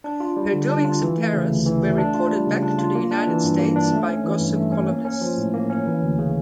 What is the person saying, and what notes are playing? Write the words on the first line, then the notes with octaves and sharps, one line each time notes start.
Her doings in Paris were reported back to the United States by gossip columnists.
D4
F4
G3
D3
D4
F4
E3
A3
C#3
D2
E3
A3
D4
F4
G3
C#3
D4
F4
A#3
D4
E3
G2
A#3
D4
A3
C#4
E3
G2
A3
C#4
A#3
C#4
F3
A2
A#3
C#4
E3
D2
C#3